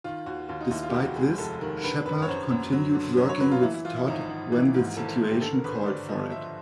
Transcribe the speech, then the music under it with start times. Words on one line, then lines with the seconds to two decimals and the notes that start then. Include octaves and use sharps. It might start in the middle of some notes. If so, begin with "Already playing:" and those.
Despite this, Sheppard continued working with Todd when the situation called for it.
0.04 D#3 F4
0.26 D#2 F#4
0.49 D#2 F4
0.61 D#4
0.71 D#2 E4
0.83 F4
0.89 G4
0.94 F1 F#4
1.16 G#3 G#4
1.38 F1 A4
1.61 D#3 A#4
1.77 A#4
1.84 D3 B4
2.06 F#2 B4
2.22 C#5
2.28 F#2 C5
2.51 F#2
2.72 F#3
2.95 D3
3.17 F#3
3.29 C#5
3.40 F#3 B4
3.51 F4
3.62 E3 E4
3.74 E4
3.85 E3 F4
3.96 E4
4.08 G#1 D#4
4.30 G#1
4.52 E3
4.74 G#2
4.97 G#1 A4
5.08 A4
5.20 G#1
5.30 G4
5.41 D3 A4
5.53 A#4
5.64 G1 B4
5.76 C5
5.86 G1 D5
6.08 F3 D#5
6.31 F3 E5